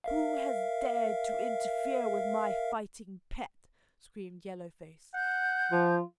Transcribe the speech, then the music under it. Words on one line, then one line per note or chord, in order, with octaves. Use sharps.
"Who has dared to interfere with my fighting pet?" screamed Yellow Face.
A#4 E5 F5
F#5 G6
F3 F4